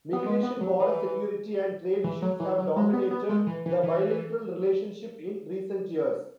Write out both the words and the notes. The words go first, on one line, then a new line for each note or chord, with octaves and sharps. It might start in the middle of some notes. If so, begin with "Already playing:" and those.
Migration, border security and trade issues have dominated the bilateral relationship in recent years.
B3
G#3
B3
F#3
E3
E3
F#3
E3
F#3
G#3
B3
B3
G#3
E3
E3
E3